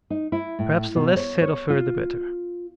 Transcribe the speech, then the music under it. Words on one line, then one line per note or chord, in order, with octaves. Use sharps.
Perhaps the less said of her the better.
D#4
E4
A2
B2
C#5
C#5
F4